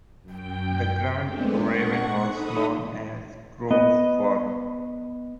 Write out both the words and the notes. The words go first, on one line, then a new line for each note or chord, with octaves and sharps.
The grant to Raven was known as Grove Farm.
F#2 G5
G#3 A3 B3 C4 D4
F#5 C#6
D#4 A4 B5 D#6
B3 D#5